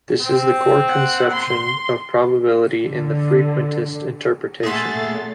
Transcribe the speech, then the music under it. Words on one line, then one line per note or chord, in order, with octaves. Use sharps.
This is the core conception of probability in the frequentist interpretation.
C4
F#5
C6
D3
A#2 A3 G#4 E5 F#5 C6 A6